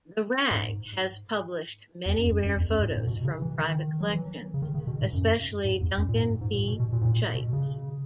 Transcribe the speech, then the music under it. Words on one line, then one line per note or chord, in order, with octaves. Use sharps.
"The Rag" has published many rare photos from private collections, especially Duncan P. Schiedt's.
G#2
E2
F#2
F#2
F#2
E2
F#2
G#2
A#2
G#2
B2
C#3
E3
D#3
F#3
E3
C#3
D#3
C#3
B2
G#2
F#2
G#2
E2
F#2
A#2
G#2
G#2
A#2
B2
B2
A#2
G#2
A#2
B2
C#3